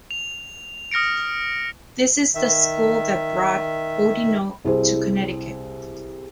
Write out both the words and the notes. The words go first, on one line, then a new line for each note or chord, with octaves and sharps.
This is the school that brought Boudinot to Connecticut.
F7
D#6 F6 A#6 C#7 D7
D#3 E5
C2 E4 G#4 C5